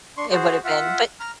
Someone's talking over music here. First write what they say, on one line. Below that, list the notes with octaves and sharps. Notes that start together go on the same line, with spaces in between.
It would've been but
D4 C6 C#6
F#4 G#4 C5
F4 E5 F#5
A#5 F6